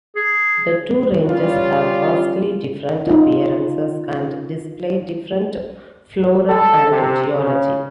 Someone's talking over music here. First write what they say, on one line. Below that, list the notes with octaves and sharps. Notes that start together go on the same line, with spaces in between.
The two ranges have vastly different appearances and display different flora and geology.
G#4
C#3 G3 F4
D#4 F4
A4
C3
C#3